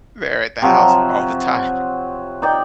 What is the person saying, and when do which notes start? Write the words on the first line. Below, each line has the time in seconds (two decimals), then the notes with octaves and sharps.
there at the house all the time.
0.62 C3 F3 F#3
2.42 D#4 D5 G5